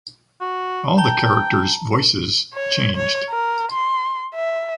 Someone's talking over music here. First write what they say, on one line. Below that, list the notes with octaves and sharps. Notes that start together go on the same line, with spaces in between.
All the characters’ voices changed.
F#4
G5 A5 A#5 G7
C#5
C#5
A#4
C6
E5